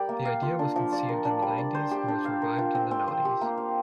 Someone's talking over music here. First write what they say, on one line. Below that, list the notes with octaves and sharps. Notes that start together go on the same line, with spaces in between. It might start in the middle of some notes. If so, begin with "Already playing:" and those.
The idea was conceived in the nineties and was revived in the naughties.
Already playing: G3 G4 A#4 D5
A#3
F5
F4
D4
F3
D5
A#4
D4
G3
D5
C5
G4
D4
F5
A#4
F4
C4
C4
C5
G4
A#3
F5